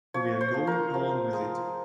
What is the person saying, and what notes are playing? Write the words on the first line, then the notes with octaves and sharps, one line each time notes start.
We are going along with it.
F3 C#5
C5
F3
A#4
F3
G#3